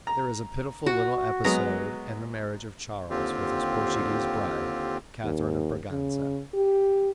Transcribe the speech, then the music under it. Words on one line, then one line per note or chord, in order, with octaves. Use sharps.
There is a pitiful little episode in the marriage of Charles with his Portuguese bride, Catharine of Braganza.
A#5
F#4
F#3 G#3 B3 A#5
D#2 D3 C4 F4 G4
D#2
C#3
G4